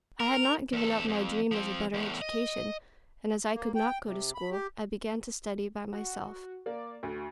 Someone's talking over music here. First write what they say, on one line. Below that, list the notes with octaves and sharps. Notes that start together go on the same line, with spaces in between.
I had not given up my dream of a better education, and as I could not go to school, I began to study by myself.
A#4
E2 A4
F2
F3 C4
E2 A2
D#5
A#3
G5
C3
B5
G4
F#4
A#3 D5
D2 F#4